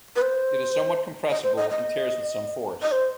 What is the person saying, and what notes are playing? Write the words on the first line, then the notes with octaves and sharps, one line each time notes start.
It is somewhat compressible and tears with some force.
B4
C5
D#5
C5
D#5
D#5
D#5
C5